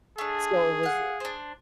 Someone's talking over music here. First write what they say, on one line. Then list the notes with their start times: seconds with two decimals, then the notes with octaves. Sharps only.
So it was, like
0.18 A3 D4 G#4
0.83 F5 F#5
1.20 D4 C5